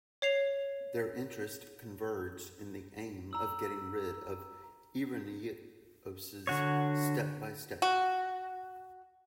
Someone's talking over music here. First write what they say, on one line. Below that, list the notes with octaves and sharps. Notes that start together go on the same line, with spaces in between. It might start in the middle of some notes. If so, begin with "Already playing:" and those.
Their interest converged in the aim of getting rid of Ireneos step by step.
C#5 C7 F7
A#5 E6 F#7
D3 F#4 C#5
F#4